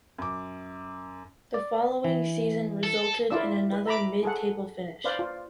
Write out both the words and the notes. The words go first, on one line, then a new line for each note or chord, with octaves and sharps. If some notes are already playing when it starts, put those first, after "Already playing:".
The following season resulted in another mid-table finish.
F#2 D6
D5
E3
A4
E4 F4 D5 E6
B4
E5 A#5 B5 D6
G#4 A4 F#5
B4 C5 D5 F5
F4